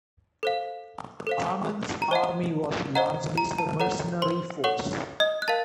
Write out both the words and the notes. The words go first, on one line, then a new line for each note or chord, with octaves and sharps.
Amin's army was largely a mercenary force.
A4 C5 F5
A4 C5 F5
A#5
C5 D#5 F#5 A5
C5 D#5 F#5 A#5
A#5
A5
A4 C#5 F#5 A#5
C5 C6
A4 C#5 F#5 C#6
D#5 D#6
F#6
A#4 F5 A5 A6